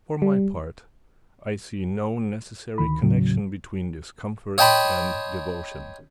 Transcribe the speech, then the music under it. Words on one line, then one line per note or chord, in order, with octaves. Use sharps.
For my part, I see no necessary connection between discomfort and devotion.
G3
D2 D#3 B5
D#2 A2 C#3 F#3
C#5 D#5 G5 A5 B5 C6